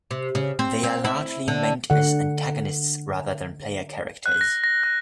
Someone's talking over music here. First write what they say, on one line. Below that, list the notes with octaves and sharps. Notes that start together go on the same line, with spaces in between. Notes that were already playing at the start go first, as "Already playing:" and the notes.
They are largely meant as antagonists rather than player characters.
C3
C#3
C4
C4
E4
D3
D3 F#5
F#6
A#6
A#6
F#6